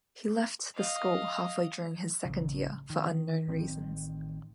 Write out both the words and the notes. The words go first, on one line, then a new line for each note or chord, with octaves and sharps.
He left the school halfway during his second year, for unknown reasons.
D#5 F5
A1 C#3
D#3
A1 D#3 C4